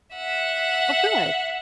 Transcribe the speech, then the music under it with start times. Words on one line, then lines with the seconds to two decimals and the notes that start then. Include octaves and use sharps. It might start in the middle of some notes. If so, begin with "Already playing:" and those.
Oh, good.
0.16 E5 F#5